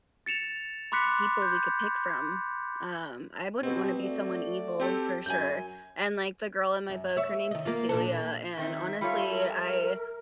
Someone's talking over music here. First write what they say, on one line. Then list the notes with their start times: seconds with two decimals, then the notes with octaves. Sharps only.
people we could pick from. Um, I wouldn't wanna be someone evil for sure, and, like, the girl in my book, her name is Cecilia, and honestly, I
0.26 A6 C#7 E7 F7
0.92 B5 C6 D6 F#6 B6 C#7
1.42 G6
3.63 B2 C4 G4
4.00 A3 F#4 D5
4.80 C4 G4 A4
5.26 F#2 G#5 G6
6.90 F#2
7.17 C#5 E5
7.51 D#3 D#5
7.65 A#3 F4
7.89 A#2 D4 A4
8.57 D#3 C4 D#4 E5
9.01 G3 A3 F4 C#5
9.31 A#4